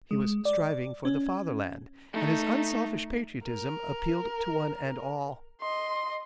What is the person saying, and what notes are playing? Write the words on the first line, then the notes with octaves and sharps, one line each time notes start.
He was striving for the Fatherland, and his unselfish patriotism appealed to one and all.
G#3
D5
C#4
A3 D#4
A#4
D#5 C6